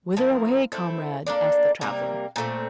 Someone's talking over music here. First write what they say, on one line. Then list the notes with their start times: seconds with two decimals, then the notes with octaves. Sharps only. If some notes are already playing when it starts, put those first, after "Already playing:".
"Whither away, comrade," asked the traveller.
0.17 F3 C4 E4 A#4
0.72 A3 C4 E4 A4
1.27 A#3 D4 A4 D5
1.81 C3 G3 A#3
2.36 A#2 A3 C4